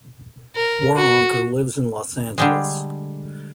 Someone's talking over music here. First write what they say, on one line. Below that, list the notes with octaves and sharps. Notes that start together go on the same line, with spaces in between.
Waronker lives in Los Angeles.
A#4
F#4
D3 G3 G#3